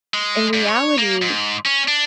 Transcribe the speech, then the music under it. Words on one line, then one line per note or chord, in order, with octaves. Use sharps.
in reality,
G#3
G2
C#5
A#3
G#2
C#4
D4